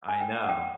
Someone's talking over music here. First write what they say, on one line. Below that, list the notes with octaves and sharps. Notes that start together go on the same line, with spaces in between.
I know.
G#5
G5
F#5
G5